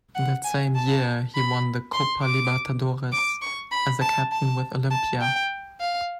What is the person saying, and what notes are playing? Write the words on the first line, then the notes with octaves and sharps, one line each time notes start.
That same year he won the Copa Libertadores as a captain with Olimpia.
F#5
G#5
A5
B5
C6
D6
D6
C#6
B5
A5
A5
A5
G5
F5